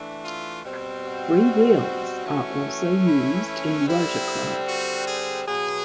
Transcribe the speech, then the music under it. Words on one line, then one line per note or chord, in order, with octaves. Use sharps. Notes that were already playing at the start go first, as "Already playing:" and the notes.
Freewheels are also used in rotorcraft.
Already playing: E3 A3 D4
F4
B2 G3 C4
F#4
E3 A3 C#4
E4
D3 G3 C4 E4
F#4
G#4
B2 F#3 B3 G#4